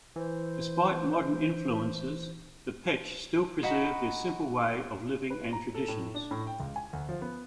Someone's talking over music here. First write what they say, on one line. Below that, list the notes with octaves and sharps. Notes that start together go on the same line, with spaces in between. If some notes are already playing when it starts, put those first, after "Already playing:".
Despite modern influences the Pech still preserve their simple way of living and traditions.
E3 C5
D#4 F#4 B5
B4
A#5
A4
A2
D4
A2
G5
C#2
G#5
D2
F3
B3